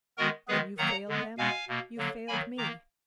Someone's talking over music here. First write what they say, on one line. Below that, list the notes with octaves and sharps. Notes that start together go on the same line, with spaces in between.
When you failed them, you failed me.
D#3 G#3 B3 F#4 A#4
D#3 G#3 B3 G#4 B4
D#3 F#3 A#3 F#5 A#5
D3 G#3 B3
B2 G#3 B3 F5 G#5
B2 A#3
D3 F#3 A#3
D#3 F#3 A#3 G#5 B5
D#3 A#3 A#5 D6